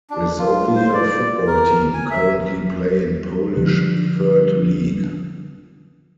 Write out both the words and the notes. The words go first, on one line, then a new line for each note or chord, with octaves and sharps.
Resovia football team currently play in Polish Third League.
D4
F4
C5
D5
A#4
G#5
E5
D3 F3 B3